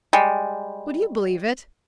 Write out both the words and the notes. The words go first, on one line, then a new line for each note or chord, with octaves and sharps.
Would you believe it?
G3 G#3